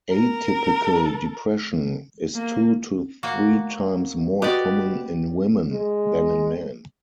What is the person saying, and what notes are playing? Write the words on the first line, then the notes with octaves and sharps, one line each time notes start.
Atypical depression is two to three times more common in women than in men.
A#4
A#3
A#3 F#4
F#4 G4 B4 D5 D#5
G#3